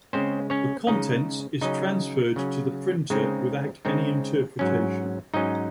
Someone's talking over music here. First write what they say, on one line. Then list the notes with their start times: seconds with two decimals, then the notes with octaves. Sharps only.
The contents is transferred to the printer without any interpretation.
0.13 C#3 G#3 C4 C#4 C5
0.50 C#4 C#5
0.87 C#3 G#3 C#4 D#4 D#5
1.61 C#3 F#3 C#4 D#4 D#5
2.36 C#3 F#3 C#4
3.10 C#3 G#3 C4 D#4
3.85 C#3 G#3 C4 D#4
4.59 G#2 F#3 C#4
5.34 G#2 F#3 C#4 D#4 D#5